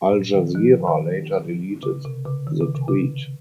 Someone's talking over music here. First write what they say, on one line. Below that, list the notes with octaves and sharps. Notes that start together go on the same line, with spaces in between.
Al Jazeera later deleted the tweet.
A#2
D#3
F3
D#3
C#3
C3
C#3
D#3
C#3
C3
C#3